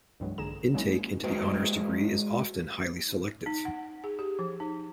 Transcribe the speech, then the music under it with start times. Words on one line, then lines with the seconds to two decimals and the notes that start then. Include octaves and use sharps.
Intake into the honours degree is often highly selective.
0.20 C2 G2 E3 F#3 G#3
0.38 A#1 D3 G#4 A#5 E7
0.74 F#3 G#3 A#3 C#4 D#4 E4
1.24 G#3 F#4 B4 C5 G5
3.46 D#4
3.65 F#5
4.04 G#4
4.19 G4
4.39 F3
4.60 D#4